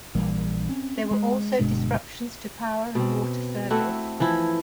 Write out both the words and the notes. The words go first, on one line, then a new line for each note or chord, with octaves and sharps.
There were also disruptions to power and water service.
A#1 E3 G3 A#3
C4 C#4
G#3
G1 B2 G#3 D4
B2 C4
A3 C4 E4 F#4
E3 F3 E4